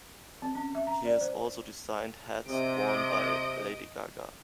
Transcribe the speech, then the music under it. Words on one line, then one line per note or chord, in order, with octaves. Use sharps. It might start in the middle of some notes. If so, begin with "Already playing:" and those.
He has also designed hats worn by Lady Gaga.
C4
C#4
E5
A#5
D5
C5
C3 D#5 D7